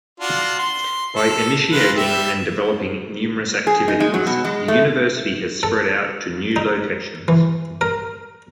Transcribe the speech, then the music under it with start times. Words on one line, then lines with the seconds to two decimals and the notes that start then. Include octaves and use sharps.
By initiating and developing numerous activities the University has spread out to new locations.
0.20 D4 F4 F#4
0.59 C6
1.16 A4
1.71 G#3 F4 B4
1.97 G3 G4 E5
3.67 G#4
3.88 D#4
4.00 G#3
4.14 F#3
4.27 B2
4.45 G#3
4.68 A3
5.63 A4
6.56 D#4
7.28 E3
7.81 A#4